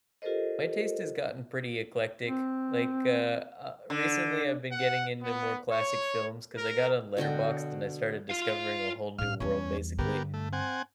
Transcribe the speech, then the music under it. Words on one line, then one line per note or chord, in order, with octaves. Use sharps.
My taste has gotten pretty eclectic. Like, uh uh, recently I've been getting into more classic films, 'cause I got on Letterboxd and I started discovering a whole new world, basically.
F4 G4 A4 A#4 C5 D#5
C4
D3
F#5
B3
C#5
A#4
B2 D3 F#4 G5
F4 F5
A2 C#4 F5 F6
E2 G3 C#4
G2 D3 B3 G4 A#4
A3
C4 F#5 G#5